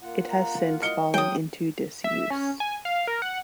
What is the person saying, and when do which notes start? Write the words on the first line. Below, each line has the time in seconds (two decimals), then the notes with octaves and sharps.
It has since fallen into disuse.
0.01 A#3 F4 F#5
0.31 A#5
0.67 A#4
0.82 D#5 F6 C#7 G7
1.14 F#3 C#5 G5 D#6
2.04 E5
2.30 C#4
2.60 G#5
2.85 F5
3.07 A#4
3.22 F#5